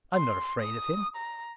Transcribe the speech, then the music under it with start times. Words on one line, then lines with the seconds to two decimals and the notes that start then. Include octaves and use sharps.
"I am not afraid of him."
0.13 C6
0.60 D#6
1.16 A#5